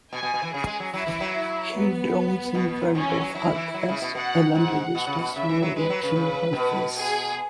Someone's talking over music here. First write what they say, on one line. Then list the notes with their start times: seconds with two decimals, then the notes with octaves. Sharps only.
He drowns in front of her as Ellen registers no reaction on her face.
0.13 B2 G#5
0.23 B2
0.34 B2
0.43 E3
0.53 C#3 G#4
0.67 G#3
0.80 F#3
0.94 F#3 E4
1.07 E3
1.21 F#3
1.74 B3
2.55 B2
2.68 B2
2.81 G#2
2.94 B2 C#4
3.08 E3
3.21 F#3
3.35 F#3 E4
3.55 E3
3.74 F#3
3.89 C#3
4.02 B2
4.15 B2 F#5
4.55 G#2 F#5
4.95 B2 F#5
5.07 C#3
5.19 B2
5.35 C#3 E5
5.49 E3
5.62 F#3
5.76 G#3 B4
5.90 F#3
6.03 C#3
6.16 C#3
6.53 G#2
6.56 B2
6.97 G#4